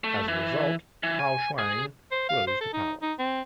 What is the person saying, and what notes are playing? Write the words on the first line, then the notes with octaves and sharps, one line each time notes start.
As a result, Cao Shuang rose to power.
A3
E3
E3
G#5
G#4
C5
F5
C5
A4
D#4
D#4
C4